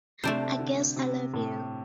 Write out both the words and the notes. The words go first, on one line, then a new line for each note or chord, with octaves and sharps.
I guess I love you.
C3 A3 D4 C5
D3
C3
A2